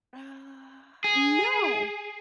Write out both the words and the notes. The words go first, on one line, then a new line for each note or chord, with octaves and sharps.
Uh, no.
G#4